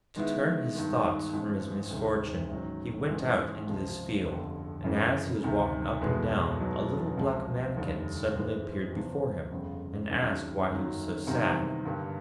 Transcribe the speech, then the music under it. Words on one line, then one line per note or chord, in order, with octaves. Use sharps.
To turn his thoughts from his misfortune, he went out into this field, and as he was walking up and down a little black Mannikin suddenly appeared before him, and asked why he was so sad.
D#3 G#3 B3 E4
G2 D#3 G#3
A1 G#2 F3 A3
D2 C3 D#3 G#3 C4
A1 G#2 D#3 F#3
A1 G#2 E3
C#2 C3 F3
G1 F2 D3 G3
F#2 C#3 E3
D2 C3 D#3
F1 E2 B2 G#3 B3
B1 B2 F#3
C#2 C3 F3
F1 D#2 D3 G3
G#2 E3 G#3 C4
E2 C3 F3
G1 F2 C#3
D#2 C#3 F#3 A3 D4
G1 F#2 D#3 F#3
E2 C3 D#3 G3 A#3
G2 D3 G3 A#3